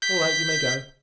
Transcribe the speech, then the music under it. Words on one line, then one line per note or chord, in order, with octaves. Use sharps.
'All right, you may go!'
G6 B6